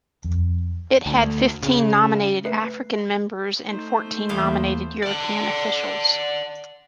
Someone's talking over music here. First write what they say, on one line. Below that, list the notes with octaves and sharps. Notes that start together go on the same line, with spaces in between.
It had fifteen nominated African members and fourteen nominated European officials.
F2
D2
C#3
A3 B4 C7
A3 D#4 C5
D#2 E3 B3 F5
D5 F#5